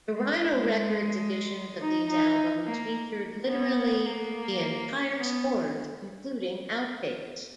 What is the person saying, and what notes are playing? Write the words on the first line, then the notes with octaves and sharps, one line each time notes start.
The Rhino Records editions of these albums featured literally the entire scores, including outtakes.
G#3
G#3
D#4
D#4
A#3
B3
A#3
B3